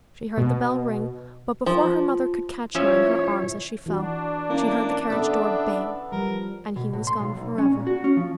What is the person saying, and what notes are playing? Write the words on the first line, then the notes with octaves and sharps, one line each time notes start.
She heard the bell ring, but before her mother could catch her in her arms as she fell, she heard the carriage door bang, and he was gone forever.
B2
F3
F3 C#4 E4 C#5 E5
E3 D4 F#4
A#3 C#4 E4
B3 A4 E5
F3 G3 A#4
B2
A2
C6
B1
B1
C#4
A#2
F#4
C#4
F3